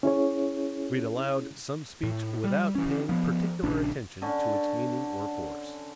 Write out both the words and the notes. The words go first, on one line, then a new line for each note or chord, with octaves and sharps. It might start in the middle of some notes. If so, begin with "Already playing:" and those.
Read aloud some speech without paying particular attention to its meaning or force.
C#4 E4 G#4 C#5
A2
G3
E3 C#4
F3 B3
A#1 C#3 D4
D3 C#4